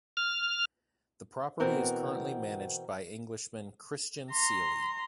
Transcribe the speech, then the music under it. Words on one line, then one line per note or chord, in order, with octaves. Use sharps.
The property is currently managed by Englishman Christian Seely.
F6
B2 E3 C4 A#4 F#5
A#5 C6